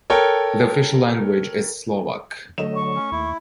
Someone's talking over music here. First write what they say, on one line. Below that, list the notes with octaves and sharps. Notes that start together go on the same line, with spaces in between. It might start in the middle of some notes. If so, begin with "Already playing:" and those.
The official language is Slovak.
A4 A#4 C#5 G5
D3 F#3 A3 D#5 E7
C#6
C#4
D#2 E4